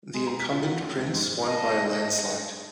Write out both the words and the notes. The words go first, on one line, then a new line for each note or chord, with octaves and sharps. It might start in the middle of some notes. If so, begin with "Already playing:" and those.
The incumbent prince won by a landslide.
G#3
A#5
B6
F4
F#4
A#1
C#2
G#2
D#5 A5